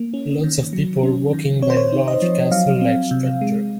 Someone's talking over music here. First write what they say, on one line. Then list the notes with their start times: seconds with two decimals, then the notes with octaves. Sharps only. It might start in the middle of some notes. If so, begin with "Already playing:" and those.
Lots of people walking by a large castle like structure.
Already playing: A#3
0.14 C#4
0.44 D#3
0.73 F#3
1.03 C#4
1.33 D#3
1.62 C4 C#5
1.70 C5
1.77 C#5
1.92 D#4
2.08 D#5
2.22 F3
2.52 F#3 F5
2.81 C4
3.11 C3
3.41 G#3